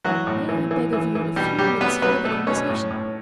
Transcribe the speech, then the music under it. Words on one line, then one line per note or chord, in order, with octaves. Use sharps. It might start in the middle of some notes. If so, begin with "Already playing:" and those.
May I beg of you a few minutes' further conversation?
E3 F#3 F#4
A2
E3
E3
E3
E3
B2 G3 G4
F#3 G3 G4
F#3 B3 B4
F#3 B3 B4
B2 A3 A4
B2 C#4 C#5
A2
A2